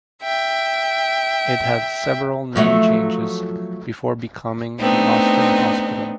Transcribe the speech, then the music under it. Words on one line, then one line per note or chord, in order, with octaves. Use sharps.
It had several name changes before becoming the Austin Hospital.
E5 G5
F3 F#3 A3
A3 B3 C4 D4 D#4